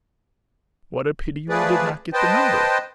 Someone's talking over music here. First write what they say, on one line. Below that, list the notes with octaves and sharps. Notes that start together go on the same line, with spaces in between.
"What a pity we did not get the number!"
F3 A3 G#4 B4 D5
B4 C5 D#5 G5 A5